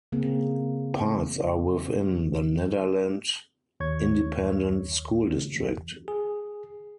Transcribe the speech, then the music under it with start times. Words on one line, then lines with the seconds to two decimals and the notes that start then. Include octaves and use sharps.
Parts are within the Nederland Independent School District.
0.12 C#3 A#3 C4 G#4
3.80 D#2 C#5 C#6 G#6
6.08 G#4